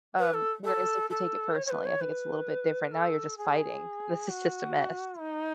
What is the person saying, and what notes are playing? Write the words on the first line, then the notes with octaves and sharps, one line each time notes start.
Um, whereas, if you take it personally, I think it's a little bit different, now you're just fighting, this is just a mess.
B4
A4
A4
A4
C#5
C#5
B4
C#5
B4
A4
G#4
F#4
D#4